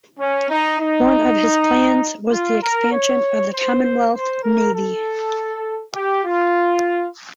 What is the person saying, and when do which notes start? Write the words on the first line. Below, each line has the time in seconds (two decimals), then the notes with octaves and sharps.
One of his plans was the expansion of the Commonwealth Navy.
0.20 C#4
0.50 D#4
0.80 D#4
2.31 F4
2.62 A#4
2.92 C#5
3.52 C5
4.13 C5
4.43 A#4
4.74 A4
5.95 G4
6.25 F4